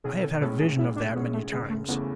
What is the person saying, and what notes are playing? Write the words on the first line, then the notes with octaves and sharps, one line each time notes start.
I have had a vision of that many times.
B1 G#4
A4
A2 G#3 C#4 E4 A4
G#4
B1 E4
D4
A2 G#3 B3 C#4 E4
A3
F#1 G#3
A3
E2 C#3 E3 A3 B3